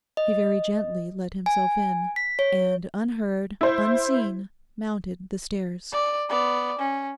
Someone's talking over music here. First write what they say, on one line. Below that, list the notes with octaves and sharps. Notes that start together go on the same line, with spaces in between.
He very gently let himself in, and unheard, unseen, mounted the stairs.
D#5
G#5
B6
C#5
E4 C5
D5
B3 D5
C#4